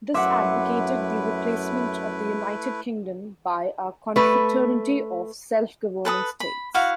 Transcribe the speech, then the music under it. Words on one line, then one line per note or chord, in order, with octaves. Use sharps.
This advocated the replacement of the United Kingdom by a 'confraternity' of self-governing states.
F#2 A3 E4 B4 E5 F#5 C6 D6
A3 B4
A4 B4 A5 D#6
B5
E4 F#4 F5 F#5